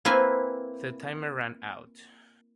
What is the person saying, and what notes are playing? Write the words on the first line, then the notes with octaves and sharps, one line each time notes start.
The timer ran out.
A#3 C4 E4 B4 G#5